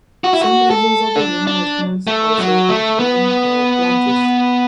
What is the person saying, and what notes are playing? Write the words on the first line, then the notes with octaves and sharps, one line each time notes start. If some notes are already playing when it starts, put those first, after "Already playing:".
Some regions of the Young Nationals also may have branches.
F#4
E4
F#4
A4
D4
D4
A3
F#3
A3
B3